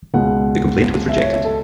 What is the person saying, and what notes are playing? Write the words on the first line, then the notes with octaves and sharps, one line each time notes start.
The complaint was rejected.
C#2 B2 G#3 B3 F#5
E5
C#5
E5
A4